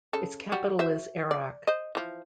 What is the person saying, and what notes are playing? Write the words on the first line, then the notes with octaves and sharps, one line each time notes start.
Its capital is Arak.
C#3 A4
G3 F#4
F#4 C5 E5
D5
C5 D#5
E3 F3